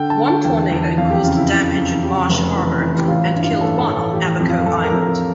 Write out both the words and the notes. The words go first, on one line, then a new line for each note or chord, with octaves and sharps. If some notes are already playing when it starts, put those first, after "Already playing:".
One tornado caused damage in Marsh Harbour and killed one on Abaco island.
Already playing: D3 G5
A5
D3
A5
E2 G5
E2
F2 F5
G4
C#3 F4
E4
C#3 F4
F2
C#3 G4
F1
E3
E3
G4
A1 F4
E4
G2
F4
A1 A4
A4
A1
A4
E3 G4
F2
F4
F2 A4
A#4
F2
A#4